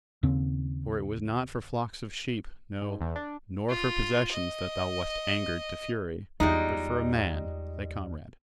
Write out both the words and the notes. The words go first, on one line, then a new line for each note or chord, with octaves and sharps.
For it was not for flocks of sheep, no, nor for possessions that thou wast angered to fury, but for a man, thy comrade.
D#2 C#3 C4
G#2
E2
D4
F4
D#5
E2 G3 G#3 D#4 F4